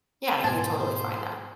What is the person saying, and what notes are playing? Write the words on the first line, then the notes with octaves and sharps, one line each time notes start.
Yeah, you could totally find that.
G#2 B2 C5 G#5 A5